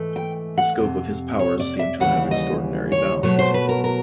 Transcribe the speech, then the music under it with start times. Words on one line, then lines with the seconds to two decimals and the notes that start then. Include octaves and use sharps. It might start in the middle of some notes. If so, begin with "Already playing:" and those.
The scope of his powers seem to have extraordinary bounds.
Already playing: G#2 E3 A3
0.16 G5
0.58 F#5
0.78 F2 C3
1.39 C#5
1.60 D5
1.79 E5
2.00 D#2 C#3 E3 G3 F#5
2.31 D#5
2.92 C#5
3.23 B2 F#3 A3 C#5
3.39 C5
3.54 B4
3.69 A#4
3.84 A#4